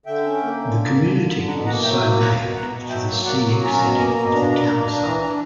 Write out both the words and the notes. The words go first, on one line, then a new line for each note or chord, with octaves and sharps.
The community was so named for the "scenic" setting of the town site.
D3 E5 G5
C#4
A#3
D3
A#3
D3
D3
D3
B2 F#5 A#5
A#3 F#5 A#5
F#3 E5 G5
A#3 E5 G5
B2 F#5 A#5
B2
B2 F#5 A#5
B2
F#3 E5 G5
A#3
A#3 D5 F#5
F#3
C#4 A#5
B2 A#5
A#3 A#5
B2 A#5
D4 A#5
D4 A#5
A#3 A#5
D4 A#5
E3 A#5
D4 A#5